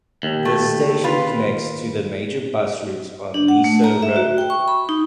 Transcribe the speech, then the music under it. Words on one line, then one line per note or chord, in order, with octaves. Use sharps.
The station connects to the major bus routes on Leasowe Road.
D#2
A3
F4 B4
D4
F#5
A3
A#5
E5
F#4
G5
C#6
B5
D#4